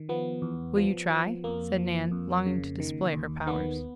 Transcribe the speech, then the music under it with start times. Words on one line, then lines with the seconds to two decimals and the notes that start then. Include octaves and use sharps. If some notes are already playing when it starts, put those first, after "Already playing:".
"Will you try?" said Nan, longing to display her powers.
Already playing: D#3
0.09 F3 B3
0.42 E2
0.76 F3
1.10 F3
1.44 F2 A#3
1.78 F3
2.11 F2
2.46 C#3
2.80 D#3
3.13 D#2
3.47 D#3 B3